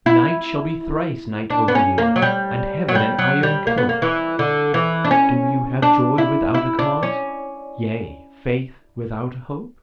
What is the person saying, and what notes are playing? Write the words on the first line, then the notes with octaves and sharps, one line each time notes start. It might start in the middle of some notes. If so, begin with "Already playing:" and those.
"Night shall be thrice night over you, And heaven an iron cope. Do you have joy without a cause, Yea, faith without a hope?"
E4
D4
B3
C#4
A#3
F#3
G3
F#3
G3
F#3
G3
A#3
B3
A#3
E3
D3
E3
D4
C#4
D4
E4
E4
D4
C#4